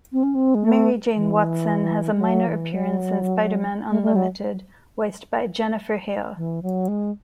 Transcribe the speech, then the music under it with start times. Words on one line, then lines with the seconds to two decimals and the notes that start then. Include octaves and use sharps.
Mary Jane Watson has a minor appearance in "Spider-Man Unlimited", voiced by Jennifer Hale.
0.12 C4
0.23 C#4
0.35 C4
0.55 G#3
0.65 A3
1.16 E3
2.16 G#3
2.20 F#3
2.46 E3
2.72 F#3
3.90 A3
4.02 A3
4.16 F#3
6.37 E3
6.63 F#3
6.88 G#3